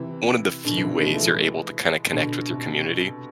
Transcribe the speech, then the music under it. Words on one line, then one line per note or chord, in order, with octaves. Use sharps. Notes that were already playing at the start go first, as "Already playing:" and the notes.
one of the few ways you're able to kinda connect with your community,
Already playing: C3 E3
B2 D3
C3 E3
E3 G#3
F3 A3
E3 G#3
B2 D3
C3